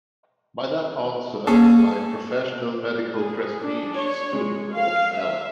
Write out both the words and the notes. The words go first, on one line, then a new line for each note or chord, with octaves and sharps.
By that answer my professional medical prestige stood or fell.
A#3 C#4 G#4 A4
G#4
D4
C#5
G#3
F5
E5